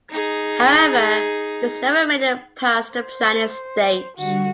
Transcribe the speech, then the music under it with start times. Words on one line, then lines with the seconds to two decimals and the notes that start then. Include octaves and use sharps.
However, this never made it past the planning stage.
0.10 D#4 G#4
2.94 C5
4.17 D3 G3 F#4